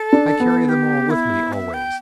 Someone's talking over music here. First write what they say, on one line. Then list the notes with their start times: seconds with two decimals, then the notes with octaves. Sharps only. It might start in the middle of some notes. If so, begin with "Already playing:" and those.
I carry them all with me always.
Already playing: A4
0.13 D4
0.40 B3
0.69 G4
1.10 E4
1.53 E5
1.74 G5